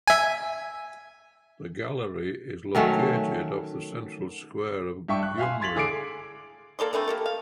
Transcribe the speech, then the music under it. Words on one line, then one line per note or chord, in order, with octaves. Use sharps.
The Gallery is located off the central square of Gyumri.
E5 G#5
D#3 F#3 A3 C#4
G2 D4 E5 G5 C#6
F#6
E5 F5 G#5 C6
C6 G#6 A6 B6 F7 F#7
D3 G#4 D6 C7 D7
A#3 A4 D5 C6
D3 E3 A3 C4
A#3 G4 A4
F5